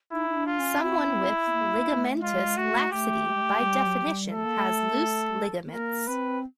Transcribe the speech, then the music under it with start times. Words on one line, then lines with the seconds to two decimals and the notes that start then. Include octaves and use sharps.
Someone with ligamentous laxity, by definition, has loose ligaments.
0.11 D#4 E4
0.29 D#4
0.35 D4
0.47 F4
0.59 C#4
0.82 C4 E4
1.05 C4
1.46 B3
1.52 A#3
1.75 A#3
1.90 A#3
1.98 A3
2.21 G#3 F4
2.56 A3 F#4
2.91 A3 G4
3.28 A3
3.34 G#3
3.41 A3
3.62 G3
3.85 F#3
4.05 F#3
4.09 G3
4.32 A3 A4
4.44 A#3
4.56 A3
5.66 B3
5.72 A#3 A#4
6.07 C4 B4